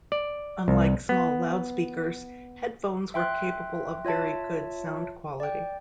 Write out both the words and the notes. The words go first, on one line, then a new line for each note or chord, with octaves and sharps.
Unlike small loudspeakers, headphones were capable of very good sound quality.
D5
C2
B3
E5 G5 C6 F#6
F4 C#5 E5 A5
D5 G5